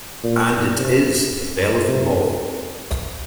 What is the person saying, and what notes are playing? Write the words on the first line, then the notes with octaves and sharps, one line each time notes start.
And it is the belle of the ball.
A#2
C3
C3